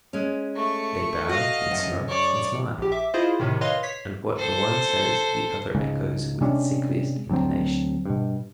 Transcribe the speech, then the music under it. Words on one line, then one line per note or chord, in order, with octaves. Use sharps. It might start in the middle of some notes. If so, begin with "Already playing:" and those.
They bow and smirk and smile, and what the one says the other echoes with sickliest intonation.
G#3 C#4
A3 C#6
F#4 D#5 F5
F#2 A3
C#5 D5
A#1 G4
E5 D6
E4 F4 G#4 C5 D#5 F5
A2 C3 D#3
B4 C#5 D#5 F5 C6
C#5 B6 C7
A4 C5
C#2 G#2 C#3
C3 G#3 C#4 D4
D2 F#3 C4
G2 B2